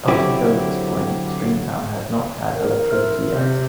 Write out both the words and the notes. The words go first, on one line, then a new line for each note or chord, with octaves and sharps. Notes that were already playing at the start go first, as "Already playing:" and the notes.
Up until this point Stringtown had not had electricity yet.
D3 F#3 C4 E4 G4
A#4
C5 E5 F6
C3